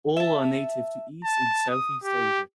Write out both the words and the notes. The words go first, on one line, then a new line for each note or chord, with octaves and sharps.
All are native to east and southeast Asia.
E5 A5
A5
D#6
G4